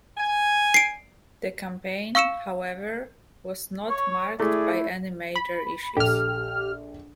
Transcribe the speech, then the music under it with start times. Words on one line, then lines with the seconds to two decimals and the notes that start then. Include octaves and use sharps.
The campaign, however, was not marked by any major issues.
0.17 G#5
0.74 C7 D7
2.15 F5 C#6 E6 C#7 E7
3.89 C#5 C#6
4.40 A3 E4 G#4 D5
5.36 B5
5.97 A#1 G4 A4 F6